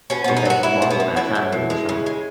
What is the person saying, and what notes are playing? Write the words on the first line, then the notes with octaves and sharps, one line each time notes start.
okay, for a longer amount of time during the summer,
B2 C#4
B2 B3
D#4
F#3 F#4
F#3 E4
B2
B3
B2
F#3 E4
F#3
B2
G#3
C#3
G#3